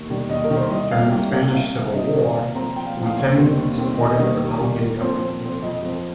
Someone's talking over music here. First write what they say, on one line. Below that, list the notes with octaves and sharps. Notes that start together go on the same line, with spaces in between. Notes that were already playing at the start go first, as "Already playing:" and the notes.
During the Spanish Civil War, Montseny supported the republican government.
Already playing: D#2
D#3 G3
D#2 D#5
A#4
D#3 G3
C5
C2 D#5
C3 G3 A#3 F5
C2 G5
C3 G3 A#3 F5
C2 F5
C3 D#3 F5
C2 D#5
C3 D#3
A#2 F5
F3 C4 A#5
A#2 G5
F5
F3 C4
F5
D#2 F5
D#3 G3 C4
D#2
D#3 G3 C4
D#2 D#5
D#5
D#3 G3 A#3
D#2
D#3 G3 A#3
A#2 A#4
F3 C4 C5
A#2 C5
F3 C4
F2 D#5
F3 C4